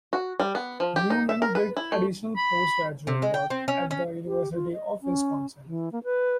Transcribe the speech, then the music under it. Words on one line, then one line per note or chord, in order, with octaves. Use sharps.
Neumann did additional post-graduate work at the University of Wisconsin.
F#4
G3
B3
F3
G4
D#4
E5
A#4
B4
E4
A3
B5
C3
G#3
G5
C4
C#4
C#4
G4
F4
D#5
C#4
E3
A#3
B4